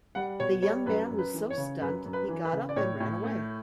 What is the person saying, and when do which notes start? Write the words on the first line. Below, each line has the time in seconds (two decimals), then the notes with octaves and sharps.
The young man was so stunned he got up and ran away.
0.15 G3 F#5
0.40 B2 C#5
0.62 G3 C#5
0.86 F#2 B4
1.11 F#2
1.18 B4
1.34 E3
1.50 C#5
1.58 C#3
1.81 F#2 B4
2.06 F#2
2.13 B4
2.29 E3
2.45 B4
2.53 C#3
2.69 D5
2.76 A2 C#5
3.00 A2
3.24 A3